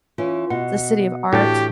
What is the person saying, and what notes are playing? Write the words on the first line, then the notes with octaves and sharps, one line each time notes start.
the city of art.
E3 C#4 F4
B2 F#5
A2 E3 D4 F#4 G4 A5